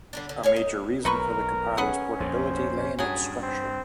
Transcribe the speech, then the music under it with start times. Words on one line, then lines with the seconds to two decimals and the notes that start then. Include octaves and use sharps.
A major reason for the compiler's portability lay in its structure.
0.13 D3 G3 D4
0.29 D3
0.43 C#5 F5 G#5
0.56 D#4
1.05 B1 D#4 A#4 B4 C#6
1.77 B3 C#4 G#4 F#5
2.20 A#1 F2 C5
2.99 G2 F#3 G#4
3.43 C4